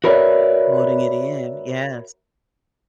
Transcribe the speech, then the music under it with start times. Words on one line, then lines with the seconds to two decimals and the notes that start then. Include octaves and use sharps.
Loading it in, yes.
0.04 F#4 A#4 B4 C#5 D5 E5